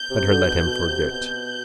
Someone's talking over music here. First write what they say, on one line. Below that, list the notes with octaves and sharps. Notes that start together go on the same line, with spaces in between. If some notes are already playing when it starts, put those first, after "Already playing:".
Better let him forget.
Already playing: G6
C3
D3
B2
B2
C3
B2 G6